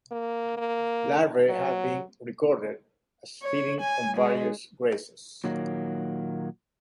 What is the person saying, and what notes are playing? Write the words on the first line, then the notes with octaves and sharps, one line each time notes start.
Larvae have been recorded as feeding on various grasses.
A#3
A#3
F#3
C#5
G#5
G#3
A#2 D#3 F#3 A#3